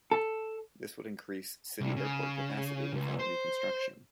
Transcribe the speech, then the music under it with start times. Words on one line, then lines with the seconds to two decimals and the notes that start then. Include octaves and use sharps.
This would increase city airport capacity without new construction.
0.11 A4
1.80 C2
1.96 C#3
2.93 C#2
3.19 C5